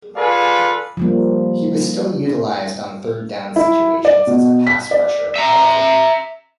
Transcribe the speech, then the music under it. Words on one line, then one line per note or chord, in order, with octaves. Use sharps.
He was still utilized on third-down situations as a pass rusher, however.
F4 G#4 A4 B4 D5 F5
F3 G3 A#3
E4
D5
B2
B6
D5
E5 A#5